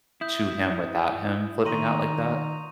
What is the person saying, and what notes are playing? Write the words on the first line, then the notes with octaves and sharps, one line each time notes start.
to him without him flipping out like that?
E4 D#6 G6
D#3 A#5 C6 C#6 D#7